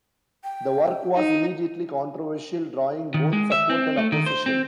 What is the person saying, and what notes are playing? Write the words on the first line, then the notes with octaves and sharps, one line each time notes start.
The work was immediately controversial, drawing both support and opposition.
G5
D#4
D#3
G#3
E5
C4
A3
D#3
C5
C4